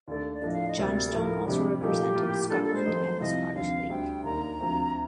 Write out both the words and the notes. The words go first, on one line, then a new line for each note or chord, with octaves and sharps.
Johnstone also represented Scotland and the Scottish League.
D#2 D3 A3 D5
D5
A2 F3 A3 D4 D#5
F5
D#5
D2 C3 G3 A#3 D5
A4
A2 F3 A3 A#4
F2 C3 G3 D4 G4
A#2 F3 A3 D#4 G4
A2 F3 A#3 F4
D3 G3 A#3 F4 A4
A4
C5
F2 D#3 A3 D#4
C2 C3 F3 D#5
D#2 D3 F3 C4 F5
D2 D3 G3 G5
D#2 D#3 A#3 D4 A#5
D2 D3 F3 C4